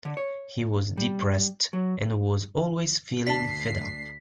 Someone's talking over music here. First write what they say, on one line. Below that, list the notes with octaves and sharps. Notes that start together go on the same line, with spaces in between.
He was depressed, and was always feeling fed up.
D3
C#5
G3
F#3
D2 D4 A5 B6 C7